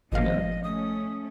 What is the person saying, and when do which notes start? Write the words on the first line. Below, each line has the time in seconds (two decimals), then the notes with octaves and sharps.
you know?
0.12 G#1 A#2 F3 D#5 F5
0.63 A3 C#4 D#6